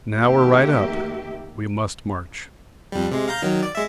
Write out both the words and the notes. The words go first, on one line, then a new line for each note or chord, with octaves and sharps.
Now we are right up, we must march.
F2 D#3 A3 A#3 G4 E5
F2 G3
C3 G#3
F5 A#5 G6
D#3 F#3
D5
G#3 E5